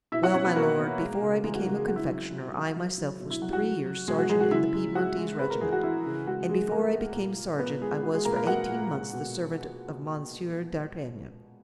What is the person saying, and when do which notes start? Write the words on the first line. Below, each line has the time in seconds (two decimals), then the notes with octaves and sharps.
"Well, my lord, before I became a confectioner I myself was three years sergeant in the Piedmontese regiment, and before I became sergeant I was for eighteen months the servant of Monsieur d'Artagnan."
0.12 B2 E4 E5
0.23 F#4 F#5
0.34 B2 C#4 C#5
0.45 B3 B4
0.56 B2 A#3 A#4
0.78 B2
1.00 G#3
1.22 C#3
1.44 E3 G#3 G#4
1.55 F#4
1.66 C#3 F#4
1.77 G#3 G#4
1.88 F#3 F#4
1.96 E4
2.09 F#3 E4
2.32 F#3
2.54 F#3
2.76 F#3
2.98 F#3
3.20 B2
3.30 E4
3.42 F#3 F#4
3.53 F#4
3.64 F#3
3.86 F#3
4.08 B2 G#3 G#4
4.19 F#4
4.29 F#3 G#3 G#4
4.40 F#4
4.51 C#3 E4
4.73 G#3
4.95 G#3 F#4
5.18 G#3
5.39 G#3 B4
5.50 A#4
5.61 E3 G#4
5.73 F#4
5.83 E3 E4
6.06 C#3
6.27 G#3 F#4
6.49 G#3 G#4
6.71 G#3 A#3 A#4
6.93 G#3
7.15 A#2
7.37 A#2
7.59 A#2 B3 B4
7.81 A#2 G#3 G#4
8.03 G#3 F#4
8.14 G#3 G#4
8.25 A#2 A#3 A#4
8.32 B4
8.36 A#3 A#4
8.47 G#3 F#4 F#5
8.69 A#2
8.92 G#3
9.13 B2